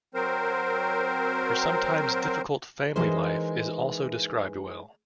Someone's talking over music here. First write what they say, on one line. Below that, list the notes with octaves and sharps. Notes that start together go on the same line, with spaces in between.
Her sometimes difficult family life is also described well.
F#3 C4 A#4 C5
E3 G#3 D#4 A#4 C5